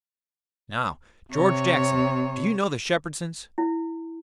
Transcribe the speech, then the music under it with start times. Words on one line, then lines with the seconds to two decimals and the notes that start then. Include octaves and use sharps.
"Now, George Jackson, do you know the Shepherdsons?"
1.34 C3 C#5
3.58 E4